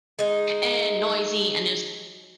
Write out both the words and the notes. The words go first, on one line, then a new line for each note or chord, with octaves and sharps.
and noisy, and there's
G#3 D#4